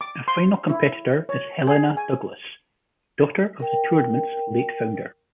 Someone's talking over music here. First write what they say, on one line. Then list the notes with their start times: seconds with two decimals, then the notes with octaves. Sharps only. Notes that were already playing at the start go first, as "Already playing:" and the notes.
A final competitor is Helena Douglas, daughter of the tournament's late founder.
0.01 D6
0.28 C6
0.70 E4
1.29 C#5
1.67 G#4
1.97 G#5
3.60 A#4 G5